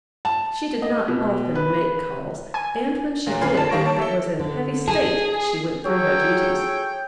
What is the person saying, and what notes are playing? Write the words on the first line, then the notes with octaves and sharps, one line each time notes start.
She did not often make calls; and when she did, it was in heavy state that she went through her duties.
A5
D#5
B2
B4
G#5
A#2 F#3
F#2 D3 F4 B4 G#5 C7
A5
D#3 G3 A#3 C#6 A#6 D7
C#5 A5
A4 E5
D3
G#4 A5
F#3 G#4 A4 C#5 G5